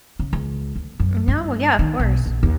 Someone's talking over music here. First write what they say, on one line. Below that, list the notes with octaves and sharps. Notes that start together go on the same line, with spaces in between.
No, yeah, of course.
C#3
C#2
D2
F#2
G2
D#3
B1
A#1
D#2